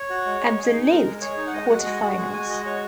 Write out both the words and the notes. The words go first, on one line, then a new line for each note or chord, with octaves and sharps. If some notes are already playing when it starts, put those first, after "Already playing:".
Absolute: Quarter finals.
Already playing: C#5
F#4
G#3
G#3
G#4
D#4
G#3 A#4
G#3
G#4 C#5
D#4
F#5
G#3 D#5
F#4 F#5
G#3 D#5
F#4 F#5
G#3
F#4 G#5
G#3 D#5
F#4 C#5